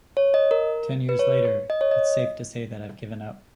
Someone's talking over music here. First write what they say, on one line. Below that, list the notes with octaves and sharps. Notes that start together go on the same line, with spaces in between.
Ten years later, its safe to say that I've given up.
C#5
D#5
A#4
B4
C#5
D#5
C#5
D#5